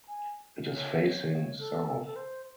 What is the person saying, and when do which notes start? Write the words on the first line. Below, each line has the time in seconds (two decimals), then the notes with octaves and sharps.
It is facing south.
0.08 G#5
0.73 C#5
1.58 A4
1.86 A4
2.05 A4
2.15 C5